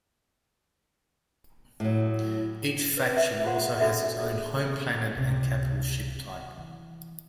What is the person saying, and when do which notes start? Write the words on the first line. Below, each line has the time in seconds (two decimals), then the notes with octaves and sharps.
Each faction also has its own home planet and capital ship type.
1.80 A2 F#3
2.97 B4 D5
3.16 A#4 E5
3.44 F4 G#4 C5 F5 F#5 C6
3.80 D4 F#4 A4 D5 E5
4.20 G#4 A4
5.17 C#2 C3
6.57 E3